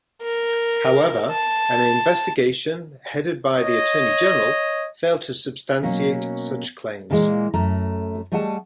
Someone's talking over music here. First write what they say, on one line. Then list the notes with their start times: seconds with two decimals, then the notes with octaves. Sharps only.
However, an investigation headed by the Attorney General failed to substantiate such claims.
0.22 A#4
1.31 A5
3.55 C#5 D#5
5.83 B2 F#3 A#3 C#4
7.10 A#2 D3 E3 G3 G#3 A#3
7.54 F#2 A3 A#5
8.32 G3 A3 G#4 D#5 F#5 A5